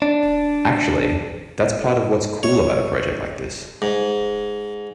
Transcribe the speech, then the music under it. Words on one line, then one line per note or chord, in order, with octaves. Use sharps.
Actually that's part of what's cool about a project like this.
D4
C#5
G#2